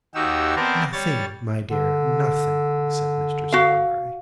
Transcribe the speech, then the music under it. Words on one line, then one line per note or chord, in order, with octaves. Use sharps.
'Nothing, my dear, nothing,' said Mr. Sowerberry.
D#2 D#4 F#4 G4 E6
B3 C4 A#4 C5 D5 A5
G3 C#5 A6
D3
F#4 F5